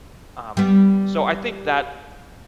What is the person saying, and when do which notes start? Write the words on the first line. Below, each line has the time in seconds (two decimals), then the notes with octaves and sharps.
Um, so, I think that
0.57 G3 B3